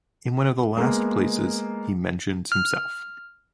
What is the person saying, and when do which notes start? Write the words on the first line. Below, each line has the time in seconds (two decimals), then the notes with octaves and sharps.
In one of the last places, he mentions himself.
0.77 G#3 A#3 B3
2.52 F6